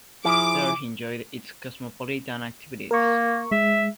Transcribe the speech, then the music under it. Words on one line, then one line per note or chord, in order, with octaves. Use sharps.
There he enjoyed its cosmopolitan activities.
F3 E4 G#4 D6
A#3 A#4 C#6
G#3 E5